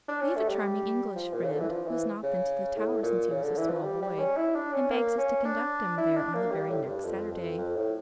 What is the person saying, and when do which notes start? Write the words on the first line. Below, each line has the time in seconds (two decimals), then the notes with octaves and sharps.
We have a charming English friend who has not been to the Tower since he was a small boy, and begs us to conduct him there on the very next Saturday.
0.08 D4
0.21 C#4
0.36 A3
0.49 G3
1.16 F3
1.33 A#2
1.42 C#3
1.52 D3
1.60 E3
1.69 F3
1.87 E3
2.23 C#3
2.76 A2
3.03 A#2
3.31 C#3
3.43 D3
3.57 E3
3.70 F3
3.83 G3
4.02 G3
4.19 C#4
4.37 E4
4.55 D4
4.73 C#4
4.90 A#3
5.18 C#4
5.45 D4
5.98 E4
6.16 D4
6.34 A#3
6.52 G3
6.70 A2
6.83 A2
6.87 G2
7.05 F2
7.32 F2
7.58 F2
7.76 A2